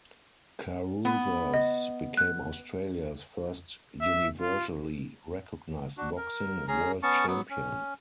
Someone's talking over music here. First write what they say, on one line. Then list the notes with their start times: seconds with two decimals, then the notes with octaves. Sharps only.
Carruthers became Australia's first universally recognised boxing World Champion.
1.05 B3
1.54 D#5
2.17 F#6
4.01 E5
4.41 F4
5.97 D4 F#4
6.17 A#4
6.68 C#4 G#4 A#5
7.03 B3 C#4 A5 C#6
7.27 F#3 B3
7.50 C#4